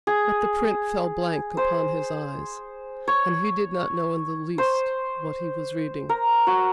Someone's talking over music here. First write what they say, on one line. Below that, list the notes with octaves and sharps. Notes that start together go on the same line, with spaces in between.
But the print fell blank upon his eyes, and he did not know in the least what he was reading.
G#4
C5
C#5
C5
A#4
F#4